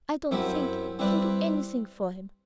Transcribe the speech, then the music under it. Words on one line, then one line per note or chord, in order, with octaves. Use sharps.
"I don't think--we can do anything for him."
F#2 F#3 C4 E4 G4
G3 C4 E4 B4 D5